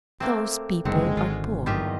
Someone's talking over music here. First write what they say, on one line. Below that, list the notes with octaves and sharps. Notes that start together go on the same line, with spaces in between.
Those people are poor.
A3 A#3 C4 A4 E5 D6
F#1 D3 D#3 G#3 C4 D4 F#5
G#1 F4 F#4 G#5
E2 G2 D#3 F#3 F4 G4 D#5 E5